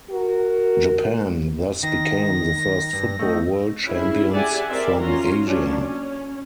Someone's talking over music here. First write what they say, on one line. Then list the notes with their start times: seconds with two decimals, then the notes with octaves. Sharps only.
Japan thus became the first football world champions from Asia.
0.11 F#4 A#4
1.83 D#3 A#6
2.93 G2
3.19 A3 D#4
3.84 C#4 E4 G#4
4.32 G4 G#4 D5 E5 F#5 G#5
4.70 C4 A#4 D5 E5 C6
4.99 C#4 F4 F#4 A#5 C6
5.44 F#3 A#3 C#4 D4
5.83 C#4